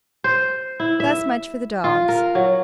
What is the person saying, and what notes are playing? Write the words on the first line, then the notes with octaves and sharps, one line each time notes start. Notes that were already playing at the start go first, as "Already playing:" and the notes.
Thus much for the dogs.
C5
E4
E5
F4
A#4
F#3